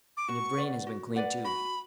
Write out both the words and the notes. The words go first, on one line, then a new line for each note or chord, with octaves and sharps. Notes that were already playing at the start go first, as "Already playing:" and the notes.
And your brain has been cleaned, too....
D6
F#4 C#6
B4 D5 F#5
F#4
B4 D5 F#5
F#4 B5